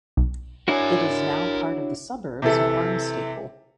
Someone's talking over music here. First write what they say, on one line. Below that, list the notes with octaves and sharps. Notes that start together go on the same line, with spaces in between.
It is now part of the suburbs of Barnstaple.
B1
D4 E4 F#4 A#4 C#5 G#5
C3 E3 A4